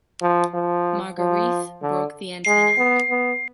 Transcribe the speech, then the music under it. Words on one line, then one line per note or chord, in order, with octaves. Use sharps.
Margarethe broke the antenna.
F3
F3
F3
D3
G#3
B3
B3